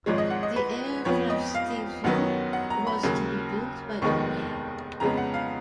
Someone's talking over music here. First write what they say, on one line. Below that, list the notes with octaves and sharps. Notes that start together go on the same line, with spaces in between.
The aircraft's tailfin was to be built by Dornier.
G#1 G#2 F3 G#3 C#5
D#5
F#5
D#5
B4
F2 F3 B3 C#5
D#5
F5
F#2 D#3 F#3 B3 F#5
F#5
A#5
B5
D#2 C#3 F#3 A#3
F1 D#2 D#3 G#3 B3 C#6
F2 C#3 G#3 B3 A#5
F#5
F5